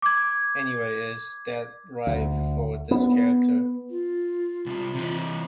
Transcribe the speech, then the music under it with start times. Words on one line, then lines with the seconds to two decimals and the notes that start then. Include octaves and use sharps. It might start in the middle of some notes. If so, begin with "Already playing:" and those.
Anyway it's dead right for this character.
0.02 D6 G#6
2.07 D2
2.91 B3
3.90 F4
4.66 C2 C3
4.95 C3 E3